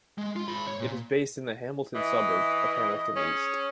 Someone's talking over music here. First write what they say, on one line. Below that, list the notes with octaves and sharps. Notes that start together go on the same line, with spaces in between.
It is based in the Hamilton suburb of Hamilton East.
G#3
F4
G#2 B5
C#5
A#2
E3 D#5
C#4 G#4